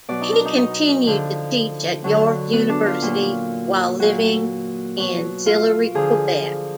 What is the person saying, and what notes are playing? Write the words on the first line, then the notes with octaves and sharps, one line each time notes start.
He continued to teach at York University, while living in Sillery, Quebec.
B2 F#3 D5
D#4
D4
D#4
D#4
D3 F3
D3 F#3
B3
D4
F4
A#2 F#3
A#2 F#3 F#4
B2 F#3
F4
D3 F3 G#4